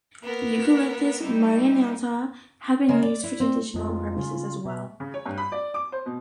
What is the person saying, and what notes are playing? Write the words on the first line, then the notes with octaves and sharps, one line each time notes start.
"Eucalyptus marginata" have been used for traditional purposes as well.
A#3 B3 A#4
G3 D#4 E4
C#3 G#3 A#3
D5
E4
C4
F2 G#3 F4
C#3
B2 E5
C#3
C#5
G2
B5
D5
D6
C5
B2